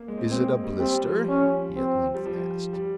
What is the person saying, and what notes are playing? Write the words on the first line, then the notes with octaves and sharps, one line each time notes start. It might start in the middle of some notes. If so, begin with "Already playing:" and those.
"Is it a blister?" he at length asked.
Already playing: A#3
G#3
C4
A#3
G#3 C4
G#3
G3
G3 C4
F3
C#4
C4
G3
F3
G3